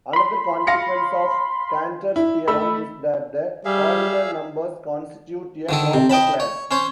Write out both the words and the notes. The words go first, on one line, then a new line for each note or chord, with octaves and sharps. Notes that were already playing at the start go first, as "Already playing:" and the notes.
Another consequence of Cantor's theorem is that the cardinal numbers constitute a proper class.
B5 C6
F5 A#6 C#7
E4
A3 B5 E6
G3 G#4 E5 F5
D3 D#3 A4
C3
D#5 G5 A5 B5
C#5
C#4 C5 C#5